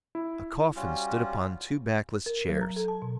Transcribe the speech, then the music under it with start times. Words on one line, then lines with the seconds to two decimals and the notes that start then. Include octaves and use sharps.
A coffin stood upon two backless chairs.
0.15 E4
0.76 G3 C#4 F4 F#4
2.26 A#4
2.49 F#3
2.61 A#5
2.76 A4
2.88 A5
3.02 B2